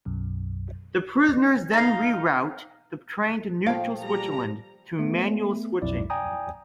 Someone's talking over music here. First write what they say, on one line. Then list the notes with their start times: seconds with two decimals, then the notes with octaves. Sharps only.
The prisoners then reroute the train to neutral Switzerland through manual switching.
0.05 B1 F#2
1.73 D#4 F5
3.66 A#2 F3 A3 F4 F5 G5
4.02 G3 A#5
4.99 A3 B3
5.82 B1 F2 E4 D5
6.10 D5 G5 G#5 A#5 D#6